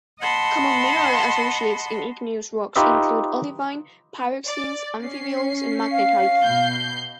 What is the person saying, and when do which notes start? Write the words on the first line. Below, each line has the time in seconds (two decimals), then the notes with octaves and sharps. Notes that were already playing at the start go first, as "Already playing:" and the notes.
Common mineral associates in igneous rocks include olivine, pyroxenes, amphiboles and magnetite.
0.20 D#5 F#5 A5 B5 C6
2.76 D#4 F4 G4 B4 D#5 E5
4.46 D5
5.01 C#4 C7
5.92 F5
6.43 B2 G6 C7